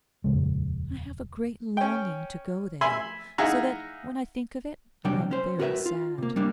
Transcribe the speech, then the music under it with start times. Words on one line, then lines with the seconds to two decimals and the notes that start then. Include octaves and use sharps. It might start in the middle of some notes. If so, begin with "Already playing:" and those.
I have a great longing to go there, so that when I think of it I am very sad.
0.24 D#1 F2 C#3 G#3
1.77 C#4 G5
2.81 E5 G#5 B5 C6
3.38 D#4 E4 G#4 F5 F#5 A#5
5.05 C3 F#3 G3 D4 G5
5.31 C#4 C5
5.60 F#4 A#4 B4 D#5 E5
5.86 F4
6.18 C3 A#3
6.36 G3 A#3 D4